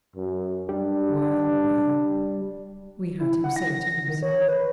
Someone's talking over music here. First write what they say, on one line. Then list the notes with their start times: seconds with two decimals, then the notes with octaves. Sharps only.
"Well, well!" we heard him say to himself.
0.16 F#2
0.69 G3 D4
3.19 E4
3.44 F#5
3.56 A#6
4.08 D#3
4.23 C#5
4.48 B4